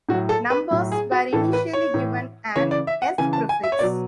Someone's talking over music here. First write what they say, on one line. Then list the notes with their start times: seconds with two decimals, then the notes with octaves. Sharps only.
Numbers were initially given an 'S' prefix.
0.09 A2 F#4
0.13 F#3
0.29 A4
0.50 B4
0.71 A2 F#3
0.92 G#4
1.12 F#4
1.33 A2 E3 A4
1.53 B4
1.73 C#5
1.94 A2 E3
2.56 C#3 E3 C#5
2.71 D5
2.87 E5
3.02 F#5
3.18 C#3 E3 G#5
3.33 A5
3.49 G#5
3.63 E5
3.72 C#5
3.79 B2 F#3 D5